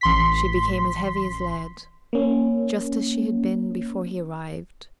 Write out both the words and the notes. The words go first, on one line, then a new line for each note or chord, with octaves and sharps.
She became as heavy as lead--just as she had been before he arrived.
A1 C6 B6
A#3 C#4